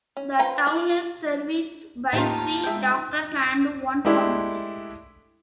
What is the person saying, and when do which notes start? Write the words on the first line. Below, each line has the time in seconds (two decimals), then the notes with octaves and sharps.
The town is serviced by three doctors and one pharmacy.
0.17 C#4
0.39 F3 F4 B4 G5 A#5
0.67 G#4
2.13 D#2 A2 D#4 F4 G4 A5
2.64 G#3 E5 G5
4.05 G#3 A3 D4 E4 G4